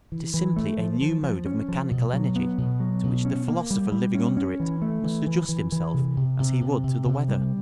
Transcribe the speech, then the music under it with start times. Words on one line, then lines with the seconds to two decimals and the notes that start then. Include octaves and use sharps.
It is simply a new mode of mechanical energy to which the philosopher living under it must adjust himself as he would to the weather.
0.12 E3
0.34 E3
0.56 A3
0.78 F3
1.01 F3
1.23 F3
1.46 C#4
1.68 F3
1.91 B2
2.13 F#3
2.36 B3
2.58 B2
2.80 F#3
3.03 B2
3.25 C#4
3.48 A#3
3.71 G3
3.92 G3
4.14 C#4
4.37 C#4
4.60 E3
4.82 A3
5.04 E3
5.27 E3
5.49 E3
5.72 E3
5.94 C3
6.17 C3
6.39 C3
6.61 C3
6.84 C3
7.06 C3
7.28 G3